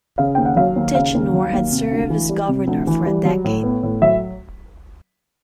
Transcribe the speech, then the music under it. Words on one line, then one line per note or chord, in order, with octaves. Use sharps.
Tichenor had served as governor for a decade.
C#3 F5
D#2 G5
F#5
F#3 F5
D#2
C#3 F5
D#2
F#3
D#2
C3
D2
E3
G3
C3
D2
E3
G3
F#3
A2
B3
A2
F#3 E5